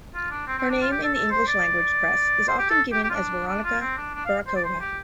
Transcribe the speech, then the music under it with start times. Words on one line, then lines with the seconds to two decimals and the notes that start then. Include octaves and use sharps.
Her name in the English language press is often given as Veronica Varekova.
0.14 F4
0.31 D4
0.47 C4
0.58 C4
0.69 D4
0.81 F4
0.92 G4
1.03 A4
1.14 A4
1.31 C5
1.48 D5
2.48 C5
2.59 G4
2.70 A4
2.93 G4
3.04 G4
3.10 F4
3.14 D4
3.47 D4
3.64 F4
3.81 C4
3.97 D4
4.15 D4
4.26 F5
4.47 C5
4.56 D5
4.64 C5
4.80 G4